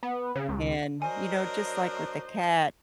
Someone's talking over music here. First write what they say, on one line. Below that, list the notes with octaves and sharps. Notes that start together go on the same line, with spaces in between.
and, you know, just like with the cat,
B3
C#3
C#2
F#3 D4 A#4 C5 D#5 G#5